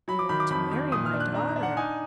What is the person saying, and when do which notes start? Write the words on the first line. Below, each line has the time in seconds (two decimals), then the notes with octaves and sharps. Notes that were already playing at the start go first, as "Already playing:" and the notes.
"You want to marry my daughter!"
0.08 F#3 B5
0.19 D6
0.29 D#3 B5
0.40 D6
0.50 F2 B5
0.71 D#3
0.92 A#2 D#6
1.06 F6
1.14 D4
1.20 F#6
1.34 D4 A#5
1.49 A#5
1.56 D4
1.63 F#5
1.77 D#4 G#5